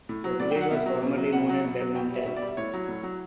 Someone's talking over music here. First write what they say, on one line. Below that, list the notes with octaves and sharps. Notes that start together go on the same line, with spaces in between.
The village was formerly known as "Belmontel".
A2
F#3
A2 D5
G5
F#3
F#5
B2 E5
F#3
B2
F#3
B2 F#5
F#3
B2
F#3
B2 G5
G3 E5
B2 E5
D5
G3 E5
A2 C#5
F#3
A2
F#3